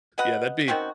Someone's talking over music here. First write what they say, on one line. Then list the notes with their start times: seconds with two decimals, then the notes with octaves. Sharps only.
Yeah, that'd be
0.18 F#4 B4 D#5 F#5
0.68 D#3 C4 C#4 F#4